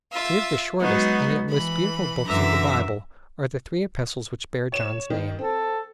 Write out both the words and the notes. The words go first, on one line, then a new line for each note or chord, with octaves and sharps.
Three of the shortest and yet most beautiful Books of the Bible are the three epistles which bear John's name.
F4 E5
F#3 G#3 B3 D#4 F#4
E3 B5
F#2 D3 E3 E5 A#5 D6
C#5 E7
D#3
C4 A4